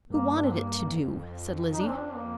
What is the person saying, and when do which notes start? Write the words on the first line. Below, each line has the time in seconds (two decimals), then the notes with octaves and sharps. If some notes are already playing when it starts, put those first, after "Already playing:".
"Who wanted it to do?" said Lizzie.
0.10 G2 A#3
0.36 D4
0.44 C4
0.51 A#3
0.92 F2
1.73 D#4
1.81 D4
1.88 C4
1.95 D4
2.15 A#3